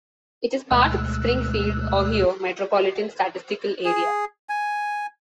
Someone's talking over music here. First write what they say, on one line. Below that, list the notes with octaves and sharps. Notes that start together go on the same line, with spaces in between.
It is part of the Springfield, Ohio Metropolitan Statistical Area.
D2 B2 G#3 A3 E6 F#6
G#4
G#5